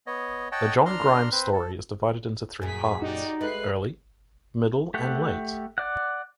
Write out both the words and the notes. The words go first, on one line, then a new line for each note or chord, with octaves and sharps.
The John Grimes story is divided into three parts - Early, Middle and Late.
B3 C#5 D#5
C#5 D#5 F#5 G5 A5
D4 A#5 C6 F6
C4 B4 C5
A4
F#2 A#2 G#4 B6
D#4 F#4 G4 D5
G#3 A3 B4 F#6 C7
A3 G4 F#5
D5 F#5